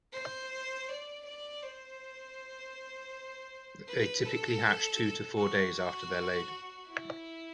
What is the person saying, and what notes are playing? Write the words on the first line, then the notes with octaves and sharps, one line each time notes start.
They typically hatch two to four days after they are laid.
C5
D5
D5
C5
B4
A4
F#4
E4